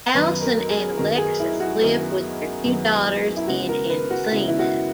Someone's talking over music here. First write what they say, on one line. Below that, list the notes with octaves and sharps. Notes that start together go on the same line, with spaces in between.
Alyson and Alexis live with their two daughters in Encino.
F#2 D#3 F#3 B3 B4
A#4
G#4
F#2 D#3 F#3 B3 A#4
G#4
E4
F#4
F#2 D#3 F#3 B3
F#2 D#3 F#3 B3
E4
C#3 G#3 B3 F#4
A#4
B4
F#4
C#3 G#3 B3 E4
E4
F#4